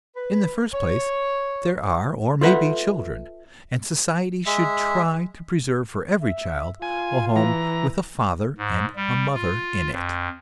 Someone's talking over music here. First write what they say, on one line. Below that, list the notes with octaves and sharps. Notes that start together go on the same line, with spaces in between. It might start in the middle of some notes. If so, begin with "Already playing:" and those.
In the first place, there are or may be children, and society should try to preserve for every child a home with a father and a mother in it.
B4
C#5
F4 A4 B4 E5 F#5
G#3 E5
E5
F4 G#5
E3 A#5
G#2
G3
F4
F2